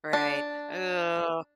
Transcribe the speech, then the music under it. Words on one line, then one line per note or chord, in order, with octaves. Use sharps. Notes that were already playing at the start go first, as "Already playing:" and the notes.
Right. Ooh.
D4